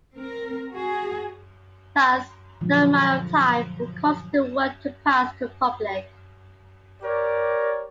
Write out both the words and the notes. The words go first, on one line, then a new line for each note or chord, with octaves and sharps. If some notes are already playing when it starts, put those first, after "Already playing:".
Thus, no amount of time would cause the work to pass to the public.
C4 A#4
F#4 G#4
A#2 D3 F3 F#3 G#3
G4 A#4 C#5 D5